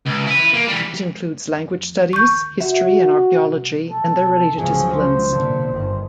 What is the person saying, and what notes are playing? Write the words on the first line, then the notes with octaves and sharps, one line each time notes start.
It includes language studies, history and archaeology and their related disciplines.
C#2
E4 B4
A#3
E3 G3
C#6 G6
F#4 E5
A4
F3 F#3 G#4
C5
A#2 D3
G1 D#3